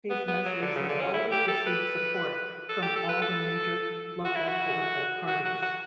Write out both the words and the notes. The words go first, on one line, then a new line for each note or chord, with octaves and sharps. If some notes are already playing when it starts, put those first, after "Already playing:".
These measures have always received support from all the major local political parties.
B3
B3
F#3
D3
C#3
D3
C#4
E4
G4
A4
B4
A4
G4
A4
B4
A4
F#4
E4
F#4
F#4
F#4
F#4